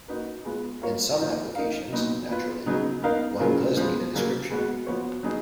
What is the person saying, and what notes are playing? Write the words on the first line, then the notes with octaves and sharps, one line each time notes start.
In some applications, naturally, one does need a description.
A#3 D#4 F#4 B4
G#3 B3 F4
A#3 F4 A#4 C#5 F5
F3 A#3 D#4 A#4
A#3 D#4 A#4 F5
A#2 F#3 B3 D#4
B3 F4 B4
C#3 F#3 B3 D#4
B3 D#4 A#4 F5
C#3 F#3 C#4 F4 A#4
F3 G#3 B3
C#3 F#3 A#3
G#3 B3 F#4
F3 B3 F#4 C#5
F#3 B3 D#4 G#4